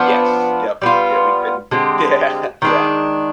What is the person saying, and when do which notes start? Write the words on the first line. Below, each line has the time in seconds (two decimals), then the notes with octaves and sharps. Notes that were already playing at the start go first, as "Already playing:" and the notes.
Yes, yep. Yeah, we couldn't yeah, yeah.
Already playing: F3 B3 D4
0.82 G3 B3 F4
1.71 D3 G#3 C4 G4
2.62 D#3 G#3 D4